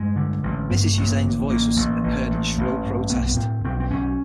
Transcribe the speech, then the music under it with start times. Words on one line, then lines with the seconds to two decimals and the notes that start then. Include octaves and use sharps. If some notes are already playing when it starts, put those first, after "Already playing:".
Mrs. Hussain's voice was heard in shrill protest.
Already playing: G2 G#3
0.16 D3
0.43 A1
0.70 G2 B3
0.82 A#3
0.93 A1 A3
1.06 A#3
1.23 D3
1.50 A1 A#3
1.76 A1
2.04 A1
2.31 A1
2.57 A1
2.83 G2
3.10 B1 B3
3.19 A#3
3.26 B3
3.37 A2 C4
3.64 B1 C4
3.80 C4
3.91 B1 C#4